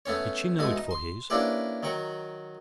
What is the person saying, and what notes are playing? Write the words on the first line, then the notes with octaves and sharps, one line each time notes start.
Did she know it for his?
A3 B3 C#4 C#5
B2 G#3 A3 D#6
D#4
C6
A#3 C#4 D4 E4 G4 B4
D#3 F#3 G5 C#6